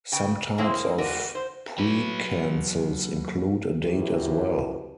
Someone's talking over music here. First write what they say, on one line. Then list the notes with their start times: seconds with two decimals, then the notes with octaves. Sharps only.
Some types of precancels include a date as well.
0.12 C#3 G5
0.58 E3 G#3 A#3 C4 C#4 E4
0.98 F#4 A#4 B4 D5
1.35 C5
1.78 F#3 B4
3.84 F#2 F3 E4 G4 B4